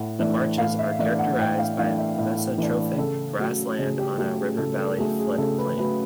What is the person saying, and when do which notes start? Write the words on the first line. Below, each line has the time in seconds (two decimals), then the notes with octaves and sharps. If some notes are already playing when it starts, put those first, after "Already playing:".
The marshes are characterised by mesotrophic grassland on a river valley flood plain.
Already playing: A2 F#5
0.19 E3 A3 D4
0.58 A2 F5
0.79 E5
0.99 E3 A3 D4 E5
1.19 F#5
1.38 A2 G5
1.59 F5
1.78 E3 A3 D4 F5
1.98 E5
2.18 A2
2.58 E3 A3 D4
2.98 C#3 A4
3.39 F#3 A3
3.79 C#3 G#4
3.99 G4
4.18 F#3 A3 G4
4.38 G#4
4.58 C#3 A4
4.79 A4
4.98 F#3 A3 G#4
5.19 G#4
5.38 C#3 A4
5.59 B4
5.78 F#3 A3 B4